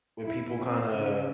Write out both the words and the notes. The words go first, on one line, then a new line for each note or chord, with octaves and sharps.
when people kinda
E4
C4
C#3